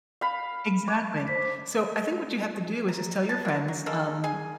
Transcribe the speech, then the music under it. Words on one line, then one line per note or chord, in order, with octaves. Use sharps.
exactly. So, I think what you have to do is just tell your friends, um,
F5 B5
D6
C5 B6
A#5
A5
F#3 A#3
F#3
G#3 A#3 A4
G#4 G#5